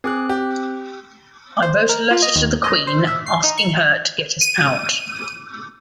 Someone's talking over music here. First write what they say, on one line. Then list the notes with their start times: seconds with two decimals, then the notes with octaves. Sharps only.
I wrote a letter to the Queen, asking her to get us out.
0.04 C4 G#4 D6 F#6
0.29 G4
1.62 C5
1.89 A#4
2.11 F4
2.22 D#5
2.36 D#2
2.64 D#5
2.87 C5
3.07 E5
3.26 C7
3.44 D#4
3.58 C#6
4.41 D#7